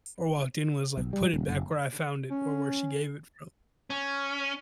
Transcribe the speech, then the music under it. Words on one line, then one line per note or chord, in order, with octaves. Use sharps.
or walked in was, like, put it back where I found it or where she gave it from.
B1
G3
D#1
F#1
C#4
C#4